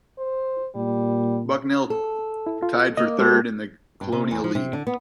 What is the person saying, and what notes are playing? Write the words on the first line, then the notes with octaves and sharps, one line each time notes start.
Bucknell tied for third in the Colonial League.
C5
A#2 G3
A4
E4
F4
A#3 D#5
G#3 G4 A4 C5
G2
C3
E2
F3
C3
D3
B3